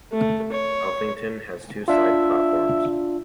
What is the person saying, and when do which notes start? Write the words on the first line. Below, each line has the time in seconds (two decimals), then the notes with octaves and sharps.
Alphington has two side platforms.
0.12 A3
0.52 C#5
1.88 D4 F4 E5